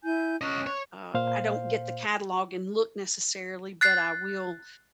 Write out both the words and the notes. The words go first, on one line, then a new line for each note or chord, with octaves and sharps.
uh, I don't get the catalog and look necessarily, but I will
E4 G#5 G6
C#4 D#5 F#6
C#5
A#2 C5 F5
F#6 A6 C7